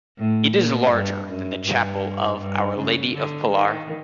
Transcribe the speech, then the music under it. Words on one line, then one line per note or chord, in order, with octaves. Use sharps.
It is larger than the Chapel of Our Lady of Pilar.
A2
A#2
G2
F#2
G2
G2
C#3
D3
D#3